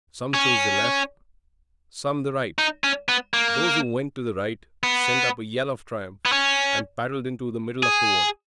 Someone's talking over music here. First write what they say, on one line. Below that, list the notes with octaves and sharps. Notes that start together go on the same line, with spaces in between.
Some chose the left, some the right; those who went to the right sent up a yell of triumph, and paddled into the middle of the water.
C#4
D#4
C#4
B3
A#3
B3
B3
C#4
G#4